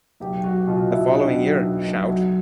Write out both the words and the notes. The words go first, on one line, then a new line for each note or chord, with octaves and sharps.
The following year, Shout!
B1 G4
F#3 F#4
B2 F4
B2 E4
D4
B2 D#4
F#3
B1
B1
F#3